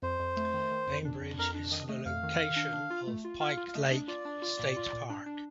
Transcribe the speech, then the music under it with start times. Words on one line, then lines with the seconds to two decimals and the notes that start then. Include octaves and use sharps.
Bainbridge is the location of Pike Lake State Park.
0.02 F2 C5
0.20 F2
0.37 A3
0.54 D#3
0.71 D#3
0.87 F2
1.05 D4
1.21 F2
1.38 F2 A#4
1.54 D4
1.71 D#3 D#5
1.89 A3 D#5
2.06 F2 F5
2.23 D#3
2.40 D#3
2.56 D4
2.73 D4
2.90 F4
3.07 A3
3.25 F4
3.40 F4 F5
3.57 F4
3.69 F5
3.74 A3 D#5
3.91 D4
4.08 F4 D5
4.25 D4
4.42 F4
4.59 A#2
4.76 F4
4.93 A#2
5.10 D4
5.26 D4